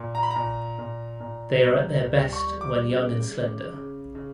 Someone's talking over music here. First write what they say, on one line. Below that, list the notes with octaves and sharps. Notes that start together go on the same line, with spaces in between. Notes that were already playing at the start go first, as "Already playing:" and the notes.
They are at their best when young and slender.
Already playing: A#2
A#5
B5
A#5
A#2
A#2
A#2
G3
G3
C#6
G3
D6
C#3
C#3
C#3
C#3